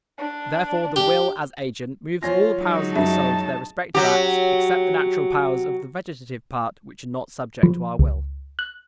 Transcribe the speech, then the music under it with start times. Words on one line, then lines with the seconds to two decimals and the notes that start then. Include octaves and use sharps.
Therefore the will as agent moves all the powers of the soul to their respective acts, except the natural powers of the vegetative part, which are not subject to our will.
0.18 D4
0.96 G4
2.23 F3 F4 C#5 G#5 A#6
2.57 F#3 G#3 D#4
2.96 F#2 D4 E5 A5
3.95 F#3 G4
7.63 F3
7.99 C#2
8.59 F#6